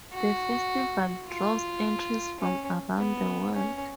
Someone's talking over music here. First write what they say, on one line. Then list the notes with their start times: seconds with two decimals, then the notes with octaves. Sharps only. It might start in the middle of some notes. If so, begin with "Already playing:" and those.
The festival draws entries from around the world.
0.13 F#4
1.28 F4
2.41 C#4
2.98 B3
3.55 C#4